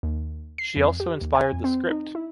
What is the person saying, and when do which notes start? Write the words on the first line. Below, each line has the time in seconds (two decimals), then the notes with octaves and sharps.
She also inspired the script.
0.03 D#2
0.58 C7
0.76 F2
1.00 G4
1.21 D#2
1.35 G#5
1.53 F2
1.64 C4
1.90 D#4
2.15 E4